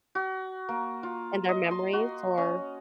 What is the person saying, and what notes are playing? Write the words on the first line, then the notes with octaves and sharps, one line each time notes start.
their memories or
F#4
A#3
F4
D#5
C6
F#4
C#4